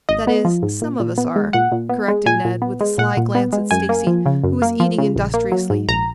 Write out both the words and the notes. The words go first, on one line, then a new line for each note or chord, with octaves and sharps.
"That is, some of us are," corrected Ned, with a sly glance at Stacy, who was eating industriously.
G#1 D#5
B3
F3
G#2
A#2
A#2
B3
G#3
A#2 F#5
A#2
B3
G#3
A#2 G#5
A#2
B3
G#3
A#2 F#5
A#2
B3
G#3
F#2 G#5
A#3
F3
C#3
F#2
A#3
F3
C#3
A#1
A#3
F#3
G#2
A#1 A#5